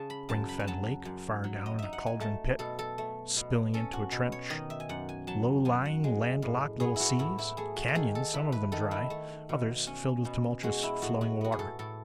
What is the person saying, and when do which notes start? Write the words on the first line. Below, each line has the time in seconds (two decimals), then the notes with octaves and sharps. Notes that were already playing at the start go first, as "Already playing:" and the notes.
A spring-fed lake far down in a caldron pit, spilling into a trench; low-lying, land-locked little seas; canyons, some of them dry, others filled with tumultuous flowing water.
Already playing: C#3 A5
0.10 B5
0.29 F#2 A5
0.49 B5
0.60 G#5
0.67 F#3 A5
1.05 F#2
1.44 F#3
1.66 D#5
1.79 D#4 E5
1.93 F#5
2.06 G#5
2.20 A3 A5
2.59 B2 A4
2.79 A4
2.98 A3
3.36 B2
3.74 C#4 A4
3.93 F#4
4.12 B2
4.32 C#5
4.50 D#3 D#5
4.70 E5
4.80 G#5
4.89 F#2 F#5
5.09 G#5
5.27 F#3 A5
5.65 F#2 G#5
5.85 F#5
6.04 G#3
6.42 A2
6.80 B3 G#4
6.96 E4 F#4
7.19 A2 E4
7.39 E4
7.57 A3 G#4
7.76 F#4
7.88 A4
7.95 D#3 G#4
8.15 A4
8.33 E4 B4
8.52 B4
8.72 D#3 A4
8.91 E4
9.10 A3
9.49 B2
9.87 C#4
10.25 B2
10.63 G#3 F#4
10.83 E4
11.02 A2 F#4
11.21 F#4
11.41 B3 F#4
11.52 G#4
11.59 A4
11.79 A2 A4